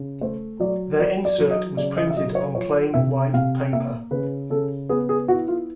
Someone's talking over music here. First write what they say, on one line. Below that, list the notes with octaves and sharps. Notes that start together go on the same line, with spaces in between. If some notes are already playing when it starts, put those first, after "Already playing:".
Their insert was printed on plain white paper.
Already playing: C#3
A3 C5
F#3 D5
F#3 D5
D5
F#3
D#5
C#3 D5
D#5
E5
F#3 D#5
C#5
F3 C#5
C3 E5
C3 F5
A#3 E5
C#3 B4
C#3 A4
B3 G#4
G#4
E4 F#4
F4